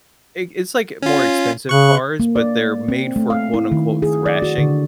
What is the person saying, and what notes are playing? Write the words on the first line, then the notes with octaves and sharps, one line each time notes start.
i it's like more expensive cars, but they're made for quote, unquote, "thrashing?"
C#4 F4
C#3 C#6 F#6
A#3
D5
C4
A3
F5
E4
D#3
G#4
D5
F#4
D3